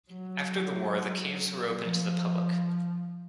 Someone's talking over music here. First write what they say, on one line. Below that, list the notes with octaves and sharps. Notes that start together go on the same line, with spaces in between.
After the war the caves were opened to the public.
F#3
F3